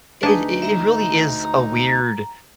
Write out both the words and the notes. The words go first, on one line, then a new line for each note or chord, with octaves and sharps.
it i it really is a weird
D2 D4 D#4 G#4 B4
E5 A#5
A#5